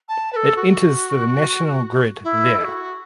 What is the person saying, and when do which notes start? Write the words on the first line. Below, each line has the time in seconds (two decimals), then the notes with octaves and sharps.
It enters the national grid there.
0.09 A5
0.33 B4
0.36 A4
0.57 F#4
2.24 E4
2.59 A4
2.64 F#4